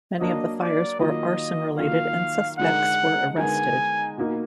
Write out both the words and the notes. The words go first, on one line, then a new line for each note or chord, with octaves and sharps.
Many of the fires were arson-related and suspects were arrested.
F#3 A#3 D4 D#5
D5
D#3 F#3 A#3 F4 D#5
D#3 F#3 A#3 F4 F5
D3 G#3 D#4 A#4 F#5
D3 G#3 B3 D#4 A#4 G#5
B2 A#3 D#4